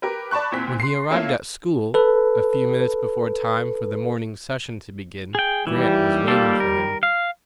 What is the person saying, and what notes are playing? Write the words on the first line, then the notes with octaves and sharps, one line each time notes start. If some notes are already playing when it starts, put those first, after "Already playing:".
When he arrived at school, a few minutes before time for the morning session to begin, Grant was waiting for him.
G4 A#4 B4
D5 A5 B5 C#6 F#6
E2 A#2 C4 B6
C6 C7
A3 A#3 C#4 E4 F4 F5
A4 B4
G#4 G5
D#2 E3 G3 E4
A#3 F4 A4
A#4
F5